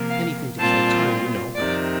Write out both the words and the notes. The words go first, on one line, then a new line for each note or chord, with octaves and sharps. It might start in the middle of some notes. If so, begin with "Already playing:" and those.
"Anything to kill time, you know."
Already playing: C3 F3 A#3
F5
A#2 G3 C4 F4 A5
F2 C3 D#3 D5